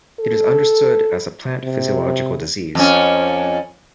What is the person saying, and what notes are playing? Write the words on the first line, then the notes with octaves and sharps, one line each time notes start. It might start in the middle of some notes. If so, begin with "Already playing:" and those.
It is understood as a plant physiological disease.
A4
C3
F2 C#4